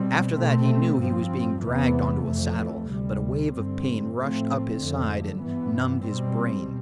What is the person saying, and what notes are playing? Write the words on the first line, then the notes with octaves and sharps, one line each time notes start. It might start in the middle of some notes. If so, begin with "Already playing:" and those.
After that he knew he was being dragged onto a saddle, but a wave of pain rushed up his side and numbed his brain.
Already playing: B2 G3 C4
B2 A3 C4
G2 F3 C4
E2 C3 E3 B3
F2 E3 A3
D2 C3 G3
G2 D3 G3 C4
A2 F3 A3 C4
F2 D3 A3
G2 E3 B3
B2 G3 C4